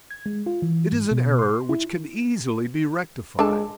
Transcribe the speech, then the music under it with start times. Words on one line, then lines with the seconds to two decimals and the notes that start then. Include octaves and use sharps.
"It is an error which can easily be rectified."
0.10 G#6
0.26 G#3
0.46 F4
0.62 E3
0.92 G#2
1.11 B2
1.39 C6
1.69 E4
3.39 G#3 D4 A4 A5